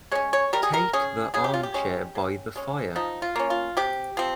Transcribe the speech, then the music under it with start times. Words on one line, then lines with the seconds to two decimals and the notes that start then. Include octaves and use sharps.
Take the armchair by the fire.
0.11 G#3 C#4 C#5
0.33 C#5
0.53 G3 A#4
0.63 G#4
0.74 A#4
0.93 C#4 G#4
1.34 C#3 G#4
1.44 G4
1.54 F4
1.63 G4
1.74 G#3 C#4
2.15 C#3
2.56 G#3 C#4
2.96 F3 D#4
3.22 F4
3.36 A#3 C#4
3.50 F4
3.77 C3 G4
4.17 F3 C4